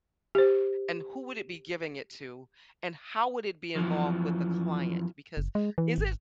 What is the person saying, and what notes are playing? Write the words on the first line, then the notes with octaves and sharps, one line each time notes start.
and who would it be giving it to, and how would it be involved with the client? Because is it"
G4 C5
F#2 E3 F3
F#1
G#3
E3
G#1